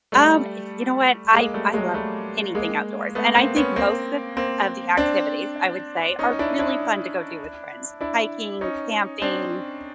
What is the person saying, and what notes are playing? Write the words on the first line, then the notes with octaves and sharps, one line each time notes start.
Um, you know what? I I love anything outdoors, and I think most of of the activities, I would say, are really fun to go do with friends. Hiking, camping,
G3 A3
G#3 A#3
G3 A3
F#3 G#3
G3 A3
G#3 A#3
A3 B3
A#3 C4
B3 C#4
A#3 C4
A#3 C4
C4 D4
C#4 D#4
D4 E4
D4 E4
D4 E4
C#4 D#4
C4 D4